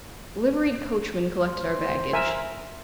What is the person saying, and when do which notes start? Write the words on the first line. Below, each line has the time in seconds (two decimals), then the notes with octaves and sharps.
Liveried coachmen collected our baggage.
1.46 C5
2.13 A#4 E5 G#5